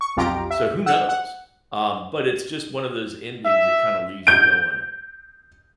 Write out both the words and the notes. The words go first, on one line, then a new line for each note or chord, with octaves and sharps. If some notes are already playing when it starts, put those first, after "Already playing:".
So, who knows? Um, but it's just one of those endings that kinda leaves you going,
C#6
B1 F2 F4 G4 A#5 D7
E5
F#5 E6 F#6
F#5
E5
G6 D7